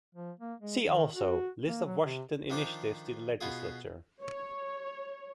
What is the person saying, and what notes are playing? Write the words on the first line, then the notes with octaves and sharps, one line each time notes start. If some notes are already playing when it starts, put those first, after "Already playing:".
See also List of Washington initiatives to the legislature.
F3
A#3
G#3
D#3
F#4
A#3
F#3
C3
D#3 F3 D4 C5 D6
B2 B3 F4 G#4
C#5